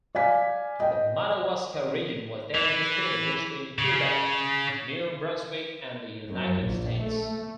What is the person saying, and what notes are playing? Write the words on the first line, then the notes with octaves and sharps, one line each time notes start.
The Madawaska region was then disputed between Quebec, New Brunswick and the United States.
D5 F5 G#5 B6
D#5 G5
E3
C#3
F#2
A#1
A3